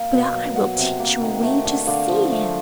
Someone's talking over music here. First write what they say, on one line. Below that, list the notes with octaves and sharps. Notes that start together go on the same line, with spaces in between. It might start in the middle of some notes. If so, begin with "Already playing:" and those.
But I will teach you a way to see him.
Already playing: A#3 F5
B2
F#3
F#3 F#5
C3
A#3
D#3
A3
D3
D3 F5
F3
A3